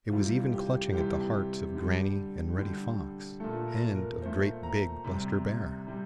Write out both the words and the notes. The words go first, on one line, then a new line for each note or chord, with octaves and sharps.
It was even clutching at the hearts of Granny and Reddy Fox and of great, big Buster Bear.
C3 E3 G3 F4
G4
C3 E3 G3 G4
D3 G3
D3 G3
A#2 A3 A4
A#4
A#4
A#2 A3 C5
A#5
C3 G3
C3 G3